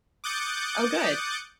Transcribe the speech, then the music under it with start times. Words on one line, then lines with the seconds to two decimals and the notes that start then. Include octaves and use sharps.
Oh, good.
0.24 D6 D#6 F#6 G6 A6 C#7